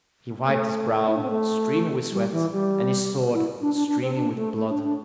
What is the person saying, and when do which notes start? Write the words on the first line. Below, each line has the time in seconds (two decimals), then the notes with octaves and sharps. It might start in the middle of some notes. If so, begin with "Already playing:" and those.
He wiped his brow, streaming with sweat, and his sword, streaming with blood.
0.45 C4
0.49 A3
1.08 E4
1.16 D4
1.23 C4
1.30 A3
2.11 G3
2.32 E3
2.52 G3
3.34 E4
3.61 D4
3.75 D4
3.88 D4
4.01 C4
4.15 D4
4.35 A3
4.56 A3
4.69 D4
4.83 D4